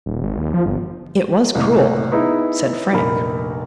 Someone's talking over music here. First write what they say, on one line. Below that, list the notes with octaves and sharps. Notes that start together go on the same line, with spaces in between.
"It was cruel," said Frank.
D#1
G#1
D#2
F3
G1
F#1 C2 A2
B3 D#4 E4 G#4
F1 A#1 A#4 B5